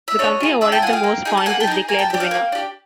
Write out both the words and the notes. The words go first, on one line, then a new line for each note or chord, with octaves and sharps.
The country awarded the most points is declared the winner.
E5
D4 C#5 D#5
F4 G#4
D4 D5 E5
G5 A5
F4 G#4 F#5 G#5
F5 G5
A#3
D#4 G#4
A5
A#3 F#5 G#5
G5 A5
D#4 G#4
A#3 G#5 A#5
G5 A5
D4 G4
F5 G5
A#3
D4 G4